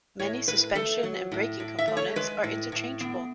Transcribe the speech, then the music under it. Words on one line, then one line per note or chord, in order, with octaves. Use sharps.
Many suspension and braking components are interchangeable.
A2 C#5
A2 B4
A3 A4
F#3
A2
A2
E5
A3
C#5
G#3 B4
A2
A2
B3